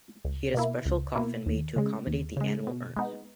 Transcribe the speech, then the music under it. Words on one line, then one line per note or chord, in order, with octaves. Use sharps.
He had a special coffin made to accommodate the animal urns.
C#2
B2 A#3 E4
C#2
B2 A#3 E4
D#2
C#3 G#3
D#2
C#3 G#3
B2
G#3 B3 D#4